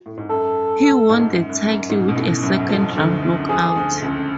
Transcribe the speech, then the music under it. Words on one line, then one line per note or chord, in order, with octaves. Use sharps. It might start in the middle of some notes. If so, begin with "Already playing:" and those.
He won the title with a second-round knockout.
A2
G#2
F#2 A4
G#2
G#2
F#2
F#2
F#2
G#2
C#3
B2
A1 A2
F#2 F#3
F2 F3
D2 D3
F2 F3 G#4
D2 D3
C#2 C#3